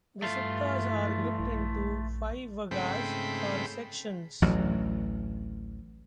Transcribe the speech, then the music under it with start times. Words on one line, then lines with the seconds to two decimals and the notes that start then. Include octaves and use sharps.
The suttas are grouped into five vaggas, or sections.
0.22 G2 E3 A3 F4
1.39 A#1
2.71 G#2 C#3 A3 C4 G5 B5
4.42 A1 D2 F#3